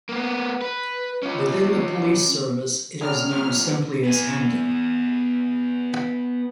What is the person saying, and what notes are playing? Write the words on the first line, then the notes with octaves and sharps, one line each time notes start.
Within the police service it is known simply as "Hendon".
A#3 B3
B4
C#4 F4
A2 F#3 A#3 G#4 D5 F6
F#2 A#2
B3 G#5